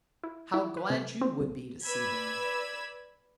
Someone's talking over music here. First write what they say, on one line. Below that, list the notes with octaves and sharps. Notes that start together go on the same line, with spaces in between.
"How glad you would be to see them!"
E4
E4
B4
C3
C4
C2
B4 D5 B5 E6 G#6